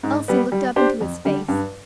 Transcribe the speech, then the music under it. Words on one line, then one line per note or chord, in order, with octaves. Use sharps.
Elsie looked up into his face.
G#2
G3 B3
G3
D4 G4 C5
F2
D3 G3
G2